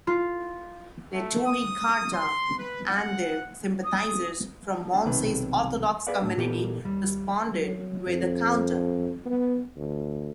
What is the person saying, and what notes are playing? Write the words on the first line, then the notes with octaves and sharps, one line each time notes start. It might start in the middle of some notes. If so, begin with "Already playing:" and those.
Neturei Karta and their sympathisers from Monsey's Orthodox community responded with a counter protest.
F4
A3
D#6
C6
B4
F#5
D#6
D4
B1 C3 D#3 B4
G#4 B4 D5 F5 F#5
A2 C3 A3 D4
A#2 E3 A#3 B3 G4 A4
D#2 G3
F#3
F2
B3
D2